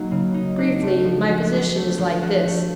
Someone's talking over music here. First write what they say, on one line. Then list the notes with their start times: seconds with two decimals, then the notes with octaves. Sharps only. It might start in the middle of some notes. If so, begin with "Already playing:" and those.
Briefly, my position is like this.
Already playing: F#3 A#3 D#4
0.11 C#3
0.34 D#4
0.58 D4
0.82 A3
1.04 F3
1.28 F#4
1.52 D4
1.75 A3
1.98 F3
2.21 F#4
2.45 A3